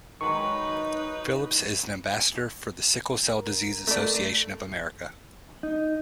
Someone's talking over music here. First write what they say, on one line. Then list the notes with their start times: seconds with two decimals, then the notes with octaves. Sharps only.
Phillips is an ambassador for the Sickle Cell Disease Association of America.
0.21 D#3 F#3 G#3 D#4 B4 C#6
3.30 A#4
3.87 A3 D5
5.63 D#4